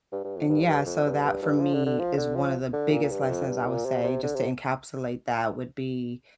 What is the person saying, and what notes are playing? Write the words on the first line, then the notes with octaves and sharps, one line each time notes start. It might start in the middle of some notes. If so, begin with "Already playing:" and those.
and, yeah, so that for me is one of the biggest lessons I would say just to encapsulate that would be,
G2
G2
F2
G2
G2
F2
G2
G2
G2
F3
D3
D3
F3
D3
F3
D3
A#2
A#2
G2
F2
G2
A#2
C3
C3
D3
C3